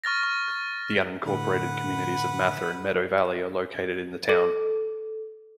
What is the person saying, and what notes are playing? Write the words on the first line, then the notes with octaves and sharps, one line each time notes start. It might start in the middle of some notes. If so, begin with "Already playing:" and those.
The unincorporated communities of Mather and Meadow Valley are located in the town.
C#6 F6 A6 A#6
C#6
A2 D3 B4 F#5 B5
A4